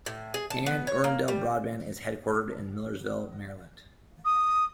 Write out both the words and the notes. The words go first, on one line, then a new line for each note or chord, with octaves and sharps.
Anne Arundel Broadband is headquartered in Millersville, Maryland.
A2
G#4
A5
B3
C#5
A#3
G3
D#6